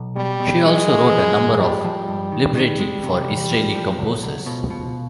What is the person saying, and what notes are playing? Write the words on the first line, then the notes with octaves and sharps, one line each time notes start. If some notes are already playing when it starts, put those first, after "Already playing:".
She also wrote a number of libretti for Israeli composers.
Already playing: B1
B2 G3
B2
F#3 G#3
C#2
F3
G#2
F3 G3
F3
G2
D#3
D#3 G3
G#3
C3
E2
F3
F3
C#2 F#3
C#2
B2 F3
B2